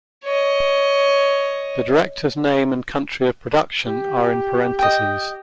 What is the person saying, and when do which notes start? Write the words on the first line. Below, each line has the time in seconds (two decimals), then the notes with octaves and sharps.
The director's name and country of production are in parentheses.
0.23 C#5 D#5
3.85 G4
4.79 D#5 G5